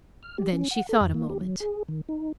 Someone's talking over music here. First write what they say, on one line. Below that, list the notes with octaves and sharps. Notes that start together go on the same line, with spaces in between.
Then she thought a moment.
F6
G4
C#4
F#5
A4
F2
A#3
G4
F#3
G#4
D#3
D#4